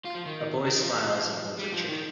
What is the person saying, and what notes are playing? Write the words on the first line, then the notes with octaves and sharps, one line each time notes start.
A boy smiles and holds a Chicken.
F4
F3
D#3
D#3
F3
G3
F3
D#3